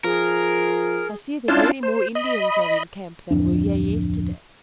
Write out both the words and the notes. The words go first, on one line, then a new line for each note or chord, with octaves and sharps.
"I see that many more Indians are in camp than were here yesterday."
F3 G#4 A#4
C#4 D4 E4 F4 A5 C6
C5
D#5 B5
D1 G1 F2 D4